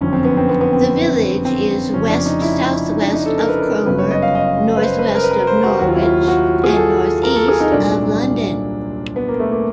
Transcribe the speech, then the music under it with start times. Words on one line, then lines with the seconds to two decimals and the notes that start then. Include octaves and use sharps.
The village is west-south-west of Cromer, north-west of Norwich and north-east of London.
0.01 F#1 F2 D3 F3 C#4
0.13 C4
0.25 B3
0.37 C4
0.49 B3
0.61 B3
0.73 C4
1.45 C4
1.93 F1 F2 C#3 F3 C#4
2.09 D4
2.26 D#4
2.42 E4
2.90 D#4
3.02 D4
3.14 D#4
3.26 A4
3.38 A#4
3.49 B4
3.60 A#4
3.86 G1 F#2 C#3 B4
3.99 C#5
4.11 D#5
4.22 F5
4.35 D#5
4.77 B4
4.83 C5
4.99 B4
5.15 A#4
5.24 B4
5.31 A#4
5.47 C5
5.63 F#4
5.79 D#2 D#3 F#3 F#4
5.87 F4
5.95 E4
6.03 F4
6.28 F#4
6.64 G#4
6.76 A4
7.23 A#4
7.36 A4
7.48 G#4
7.60 D#4
7.72 C2 A#2 F#3 D4
9.16 B3
9.28 A#3
9.40 A3
9.52 A#3